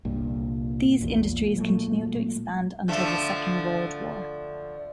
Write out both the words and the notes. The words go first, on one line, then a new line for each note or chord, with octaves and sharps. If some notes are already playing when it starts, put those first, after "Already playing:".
These industries continued to expand until the Second World War.
C2 G2 A#2
A#1 E2
F#3 G#3 A3
D3 F3 A3